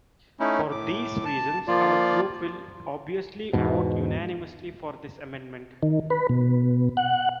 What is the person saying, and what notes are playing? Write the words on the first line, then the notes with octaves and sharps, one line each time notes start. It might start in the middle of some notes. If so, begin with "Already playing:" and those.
For these reasons our group will obviously vote unanimously for this amendment.
A3 C#4 D#4 E4
A2 D6
A5
F3 A#3 F4 D5
E2 G#2 B2
D#3
B4
B2
F#5